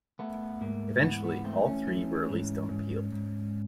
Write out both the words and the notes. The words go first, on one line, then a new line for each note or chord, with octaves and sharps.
Eventually, all three were released on appeal.
A3 B3
G#2 A#3
E3 B3
B3
A3 C4
C#4
E3
G#2
G#2
G#2